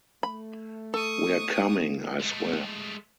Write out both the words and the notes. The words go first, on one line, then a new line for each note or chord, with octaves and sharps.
We're coming, I swear.
A3 B5
A4 C#6 D#6
G#3 A3